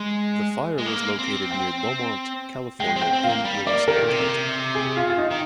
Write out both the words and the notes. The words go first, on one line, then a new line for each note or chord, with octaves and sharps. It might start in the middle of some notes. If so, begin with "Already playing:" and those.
The fire was located near Beaumont, California in Riverside County.
Already playing: G#3
G#3
A#3
C4
G5
G#3 G5
C4
G5
C4
F5
A#3
G3
A#3 D5
D#3 A#4
A#2
C3
G#4
F4
F4
D#4
D#3